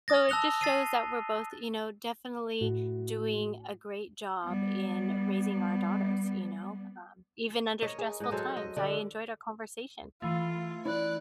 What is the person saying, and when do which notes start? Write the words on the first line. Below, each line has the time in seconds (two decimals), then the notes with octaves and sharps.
so it just shows that we're both, you know, definitely doing a great job in raising our daughters, you know, um, even under stressful times. I enjoyed our conversation.
0.08 D#6 A6 A#6
0.29 A5 E6 F#6 F7 G7
0.61 A6 C7 D#7
2.61 A2 E4 F#4
4.45 G3 B3
7.82 A#4 C#5 D#5
7.99 G#4
8.20 G#2 D#5
8.32 F#3 G#4 A4 C5
8.57 D#5
8.77 D3 D4
10.22 E3 A3 F4
10.85 E4 D5 F#6